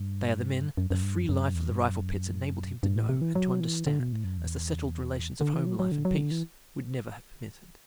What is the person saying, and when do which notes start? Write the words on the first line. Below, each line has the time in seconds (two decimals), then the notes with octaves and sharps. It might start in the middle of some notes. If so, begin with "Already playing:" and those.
They are the men the free life of the rifle-pits enabled him to know and to understand as the settled relations of home life and peace would never have permitted.
Already playing: G2
0.77 F#2
0.90 F#2
1.03 G2
1.17 F#2
1.29 F#2
1.55 E2
1.72 G2
1.80 F#2
2.83 G2
2.96 A2
3.09 C3
3.21 E3
3.35 F#3
3.60 E3
3.87 D3
3.99 B2
4.12 A2
4.24 F#2
4.38 E2
5.41 D3
5.54 E3
5.66 F#3
5.80 F#3
5.92 D3
6.05 F#3
6.18 D3
6.31 E3